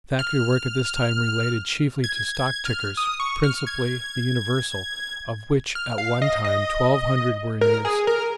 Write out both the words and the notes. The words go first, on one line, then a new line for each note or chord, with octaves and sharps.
The factory work at this time related chiefly to stock tickers, principally the "Universal," of which at one time twelve hundred were in use.
F6
G#6
G#6
F6
D#6
C#6
F6
G#6
F6
F5
D#5
D#5
A#4
G#4
A#4